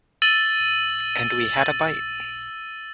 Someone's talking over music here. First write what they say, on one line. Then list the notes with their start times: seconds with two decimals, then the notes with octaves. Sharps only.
And we had a bite.
0.22 E6 A6 D#7 F#7 G7